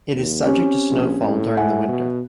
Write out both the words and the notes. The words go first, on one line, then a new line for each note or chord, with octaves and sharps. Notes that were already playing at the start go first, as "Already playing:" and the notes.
It is subject to snowfall during the winter.
D#2
C4 C#4 G4
A#1
A2
E5 F#5 G#5
B2